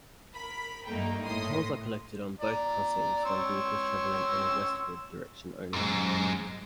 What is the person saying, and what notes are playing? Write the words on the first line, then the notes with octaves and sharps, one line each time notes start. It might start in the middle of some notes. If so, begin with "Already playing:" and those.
Tolls are collected on both crossings from vehicles travelling in a westward direction only.
A#4 B5
G2 A3 A#3 D#4 G5
A2 C6 D#6
D5 A#5
C#5 C6 E6
F#2 G#3